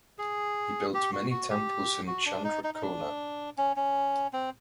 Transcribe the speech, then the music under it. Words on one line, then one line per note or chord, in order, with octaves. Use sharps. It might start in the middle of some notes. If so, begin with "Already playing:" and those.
He built many temples in Chandrakona.
G#4
G4
F#4
F#4
G4
F#4
D4
D#4
D#4
D#4
D4
C#4
C#4
C4